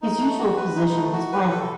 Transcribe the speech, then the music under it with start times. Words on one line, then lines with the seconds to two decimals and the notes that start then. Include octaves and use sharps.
His usual position was flanker.
0.02 D#4
0.20 A3
0.38 F#4
0.57 B4
0.76 D#4
0.94 A3
1.13 F#4
1.32 B4
1.50 A4